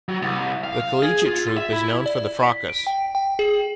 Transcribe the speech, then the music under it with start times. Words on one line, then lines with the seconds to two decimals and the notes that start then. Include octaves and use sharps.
The collegiate troupe is known for the Fracas!
0.08 F#3
0.22 C2
0.64 F5
1.03 G#4
1.26 F4
1.57 E5
1.72 E4
2.06 D5
2.43 B6
2.69 D7
2.87 G5
3.15 G5
3.39 G#4